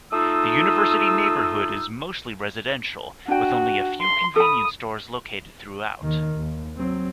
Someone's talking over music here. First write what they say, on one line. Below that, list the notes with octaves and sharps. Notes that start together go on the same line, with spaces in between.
The University Neighborhood is mostly residential, with only a few convenience stores located throughout.
A3 D#4 F4 D#6 E6
D4 F#4 G5
C6
A4 B5 D#6
D#2 D#3
D#2
F#3 C4